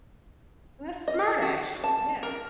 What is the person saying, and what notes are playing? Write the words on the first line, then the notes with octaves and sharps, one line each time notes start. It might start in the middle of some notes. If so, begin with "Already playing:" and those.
That's smart actually, yes.
D#5
F#4
A5
A#4